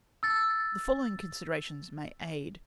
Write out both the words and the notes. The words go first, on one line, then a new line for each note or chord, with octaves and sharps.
The following considerations may aid.
E6 A6